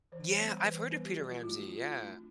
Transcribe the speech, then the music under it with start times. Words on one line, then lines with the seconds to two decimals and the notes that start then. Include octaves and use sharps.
Yeah, I've heard of Peter Ramsey, yeah.
0.12 E3 C5
0.30 C#5
0.38 G3 B3 D4
0.48 C5
0.64 E3 B4
0.78 C5
0.90 G3 B3 D4 B4
1.04 G4
1.17 F3 F#4
1.30 F4
1.43 A3 C4 E4
1.56 F#4
1.69 F3 F4
1.86 E4
1.95 A3 C4
2.03 D4